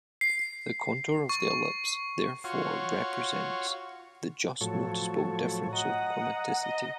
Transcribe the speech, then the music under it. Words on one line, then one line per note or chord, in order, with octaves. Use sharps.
The contour of the ellipse therefore represents the just noticeable differences of chromaticity.
C7
C#6
F4 F#4 C#5
A2 F3 F#3 A4 C#5
D#5 F#5 A#5
D#5